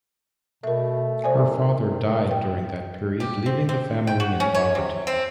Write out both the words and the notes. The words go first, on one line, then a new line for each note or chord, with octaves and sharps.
Her father died during that period, leaving the family in poverty.
B2 A3 A#4 E5
C3 C5 D5 G#5
D#3
B4 G5
G4
C4
C4
G5
F#4
C#4
C#5
C3
C4